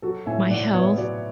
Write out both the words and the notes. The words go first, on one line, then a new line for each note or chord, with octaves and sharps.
my health
F#3 F#4 A4
A2 E5 G#5
A2 D5 F#5
B3 C#5 E5
F#3 B4 D5